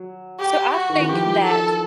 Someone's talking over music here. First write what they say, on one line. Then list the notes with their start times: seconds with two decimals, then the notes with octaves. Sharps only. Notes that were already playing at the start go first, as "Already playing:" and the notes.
So I think that
Already playing: F#3
0.40 G4
0.75 F#4
0.90 D#3
1.00 E3
1.09 F3 G4
1.44 A4